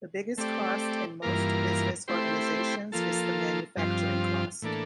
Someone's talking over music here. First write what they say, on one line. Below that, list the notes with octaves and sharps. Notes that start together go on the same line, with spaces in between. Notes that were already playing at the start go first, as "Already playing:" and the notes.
The biggest cost in most business organizations is the manufacturing cost.
A3 C4 G4 D5
G2 E3 A#3 F4 A#4
A3 C4 E4 G4 C5
F3 A#3 F4 A4
G2 F3 C4 F4
A2 E3 A#3 D4 A4